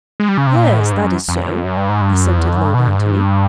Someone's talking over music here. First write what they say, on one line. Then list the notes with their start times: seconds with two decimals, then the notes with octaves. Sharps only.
"Yes, that is so," assented Lord Antony.
0.20 G#3
0.29 G3
0.38 C#3
0.47 C3
0.56 A#2
0.68 A2
0.80 G#2
0.93 G2
1.04 F#2
1.28 F2
1.65 F#2
1.77 G2
1.89 G#2
2.01 G2
2.13 F#2
2.26 F2
2.38 E2
2.47 F2
2.57 F#2
2.65 G2
2.74 B2
2.88 G2
2.99 G#2
3.11 G2